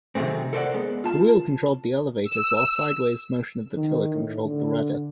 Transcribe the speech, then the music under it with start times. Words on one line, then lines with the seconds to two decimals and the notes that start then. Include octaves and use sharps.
The wheel controlled the elevators while sideways motion of the tiller controlled the rudder.
0.15 C3 D#3 F#3 G#3 A3 C4
0.53 A4 A#4 C5 D5 F#5
0.74 G#3 B3
1.04 F4 A5
2.23 E6
3.77 D#3
4.15 A2
4.45 D3